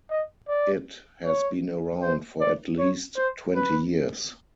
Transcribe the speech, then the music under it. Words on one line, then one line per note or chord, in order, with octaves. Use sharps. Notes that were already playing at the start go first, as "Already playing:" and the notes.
It has been around for at least twenty years.
D#5
D5
C#5
C5
D5
C#5
C5
B4